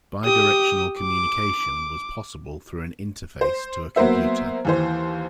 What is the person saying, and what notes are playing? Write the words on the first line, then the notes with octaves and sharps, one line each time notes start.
Bi-directional communication was possible through an interface to a computer.
G4 D#6
D6
C5
F#3 A#3 B3 C5 E5
D#2 E3 C5